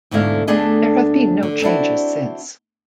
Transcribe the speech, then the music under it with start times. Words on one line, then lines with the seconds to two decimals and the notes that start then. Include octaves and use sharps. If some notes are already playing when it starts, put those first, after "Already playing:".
There have been no changes since.
0.11 D2 G#2 B2 D3 E4 F5
0.47 D2 A3 B3 D4 G#4 D#5
1.43 D3
1.62 C4 D4 E4 F#4